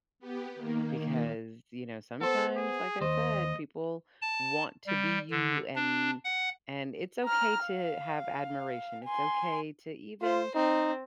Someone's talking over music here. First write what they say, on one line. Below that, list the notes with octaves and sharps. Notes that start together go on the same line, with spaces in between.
because, you know, sometimes, like I said, people want to be you, and and it's okay to have admiration. It's okay to even
B3 G4
D#3 A#3
B3 A4 C5
G#4
D#2 C5 D#5
A5
G3
D3
D4
F#5
A#5 F6
F5
G#5 C6
F4 C5
C4 D#4